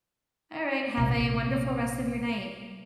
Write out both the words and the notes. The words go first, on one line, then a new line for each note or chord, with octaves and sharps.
All right, have a wonderful rest of your night.
A#1 C3